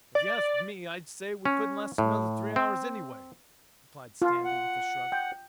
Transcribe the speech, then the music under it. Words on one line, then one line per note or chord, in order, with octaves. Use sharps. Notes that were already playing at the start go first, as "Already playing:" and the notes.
"If you asked me, I'd say we couldn't last another three hours anyway," replied Stanley with a shrug.
D5
C#4
A2
C4
F4
F#5
G5